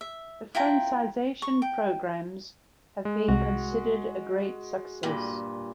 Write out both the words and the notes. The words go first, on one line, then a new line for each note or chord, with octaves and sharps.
The francization programmes have been considered a great success.
E5
E4 F4 G5 A#5
C#6
G5
G#3
C2 F#4
G2 A#2